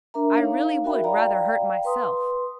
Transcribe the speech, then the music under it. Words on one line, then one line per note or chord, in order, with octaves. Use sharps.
I really would rather hurt myself.
D4 A#4 E5 A#5
D#4 C#5 F5
F#4 A#4 E5 G5 B5
D5 F5 G5 A#5
B4 C6 D#6